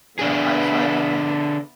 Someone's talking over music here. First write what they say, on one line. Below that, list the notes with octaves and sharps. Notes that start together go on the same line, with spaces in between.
you know, I tried to be
D3 B3 D4 G#4 E5